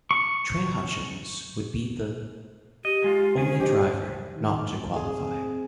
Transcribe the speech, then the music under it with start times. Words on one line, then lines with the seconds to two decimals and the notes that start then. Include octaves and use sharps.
Trey Hutchens would be the only driver not to qualify.
0.11 C#6
2.85 G4 D#5
3.02 F#3 G#3 F4
3.37 D#3 C#4 G#4 C5
3.60 G4 C5 D#5
4.36 D#3
4.96 C4 G#4